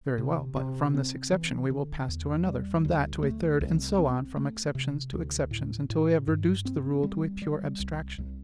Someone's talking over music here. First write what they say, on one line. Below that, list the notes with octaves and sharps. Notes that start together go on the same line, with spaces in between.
Very well; but from this exception we will pass to another, from that to a third, and so on from exceptions to exceptions, until we have reduced the rule to a pure abstraction.
C3
C3
C4
E3
D3
E2
G3
D2
A3
C2
C4
A3
C3
D2
A2
A2
G2
C4
G3
G3
C2
C2